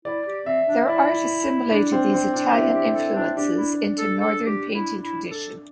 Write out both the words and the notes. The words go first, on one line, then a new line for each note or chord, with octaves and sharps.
Their art assimilated these Italian influences into the Northern painting tradition.
E4 D5
G4
C4 E5
D4
E4 D5
D4
C4
C4
D4
E4 G4
G4
A4
D4
D4 G4
E4
A4
A4
G4
E4
E4
A4